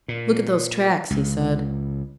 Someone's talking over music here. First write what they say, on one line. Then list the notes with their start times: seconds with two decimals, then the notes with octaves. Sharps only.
"Look at those tracks," he said.
0.08 A#2
1.10 C#2